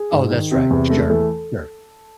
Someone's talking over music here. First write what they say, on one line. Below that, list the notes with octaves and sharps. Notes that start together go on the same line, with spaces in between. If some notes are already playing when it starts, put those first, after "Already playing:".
Oh, that's right, sure, sure.
Already playing: G#4
G#2
D#3
C3
E2
A3
E3 A3 A4